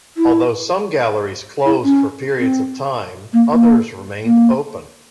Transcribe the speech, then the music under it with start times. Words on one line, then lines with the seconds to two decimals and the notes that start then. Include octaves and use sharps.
Although some galleries closed for periods of time, others remained open.
0.17 E4
1.66 E4
1.84 C#4
2.40 C4
3.33 A#3
3.51 A#3
4.25 A#3